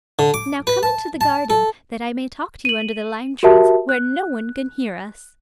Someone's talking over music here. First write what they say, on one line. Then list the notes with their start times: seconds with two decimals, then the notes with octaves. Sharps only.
Now come into the garden, that I may talk to you under the lime trees, where no one can hear us.'
0.19 D3
0.34 D6
0.67 B4
0.83 A5
1.21 A5
1.50 A4
2.65 D#7 F#7
3.43 F#4 G4 A#4 E5 A5
3.89 F#6